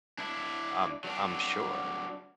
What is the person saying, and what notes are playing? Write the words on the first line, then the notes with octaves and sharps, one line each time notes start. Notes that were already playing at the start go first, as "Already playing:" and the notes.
I'm I'm sure.
D4 E4
F#3 D4